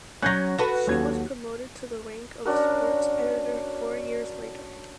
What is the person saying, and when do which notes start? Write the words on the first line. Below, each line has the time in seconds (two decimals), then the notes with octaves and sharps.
He was promoted to the rank of Sports Editor four years later.
0.22 F#3 C#4 F#6 G6 A#6
0.58 F#4 A4 B4
0.87 D#2 F#3 G#6
2.45 C#4 D4 F#4 A#4